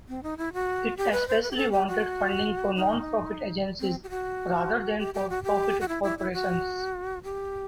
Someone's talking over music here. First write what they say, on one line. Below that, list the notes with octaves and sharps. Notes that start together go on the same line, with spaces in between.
It especially wanted funding for nonprofit agencies, rather than for-profit corporations.
C4
D#4
E4
F#4
G4
B4
C5
B4
G4
A4
G4
F#4
D#4
C4
G4
F#4
G4
G4
F#4
G4
F#4
E4
E4
E4
F#4
G4